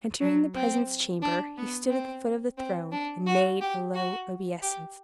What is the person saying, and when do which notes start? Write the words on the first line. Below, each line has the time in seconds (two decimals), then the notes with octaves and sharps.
Entering the presence chamber, he stood at the foot of the throne, and made a low obeisance.
0.20 F#3
0.55 C4
1.22 D4
1.57 B3
1.90 C4
2.58 C4
2.92 D4
3.27 F#4
3.61 G4
3.94 F#4
4.62 G4